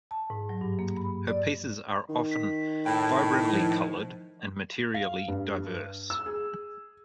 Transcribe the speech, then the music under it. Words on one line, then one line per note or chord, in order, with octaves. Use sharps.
Her pieces are often vibrantly colored and materially diverse.
A5
G#2
F#3
G2
A#3
B5
D5
D#3
B6
A2 G5
F3
F5
G2
E6
G#4